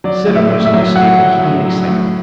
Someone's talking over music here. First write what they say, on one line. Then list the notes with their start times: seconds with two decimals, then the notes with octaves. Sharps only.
Sidham was in a state of keen excitement.
0.04 F#3 D5
0.27 A2
0.35 E5
0.51 A2
0.65 E5
0.74 F#3
0.95 A2 F#5
1.20 F#3
1.43 A2
1.65 F#3
1.88 A2